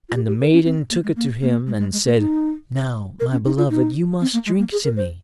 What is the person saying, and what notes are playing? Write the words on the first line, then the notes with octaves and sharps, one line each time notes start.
And the Maiden took it to him, and said: 'Now, my beloved, you must drink to me.'
F4
G4
G4
A#4
C#4
C4
A#3
G#3
A#3
A#3
G#3
G#3
G#3
A#3
D#4
A#4
C#4
D#4
F4
D#4
C4
A#3
G#3
A#3
G#4
A#4
C5